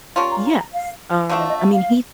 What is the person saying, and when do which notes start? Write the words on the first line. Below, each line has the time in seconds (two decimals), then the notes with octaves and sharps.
Yes. Um, I mean, he
0.16 G3 A#3 C#4 F4 A5
0.31 A#5
0.45 A#5
0.58 A#5
0.73 F5
1.29 D3 F3 A3 D4 F5
1.38 D#5
1.48 D#5
1.57 E5
1.71 F5